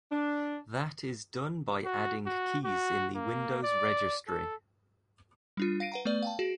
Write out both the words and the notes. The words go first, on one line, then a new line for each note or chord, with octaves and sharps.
That is done by adding keys in the Windows Registry.
D4
F#4
F#4
F#4
A#3
D5
A4
G3 D4 F4
F5 A#6 C7 D7 D#7
B4 F#5 A#5
A3 B3 B4 D5
F5 G5 A5
F#4 G#4 D7